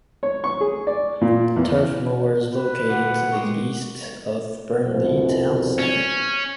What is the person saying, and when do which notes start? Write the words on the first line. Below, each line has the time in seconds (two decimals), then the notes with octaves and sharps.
Turf Moor is located to the east of Burnley town centre.
0.23 C#5
0.44 C#6
0.61 G#4
0.87 D5
1.21 A#2
1.56 E2
2.53 B4
2.89 D2 A#2 D3 F#5
3.32 A#2 G#3 G4 C#6
4.84 C2 F2 B2
5.79 C#4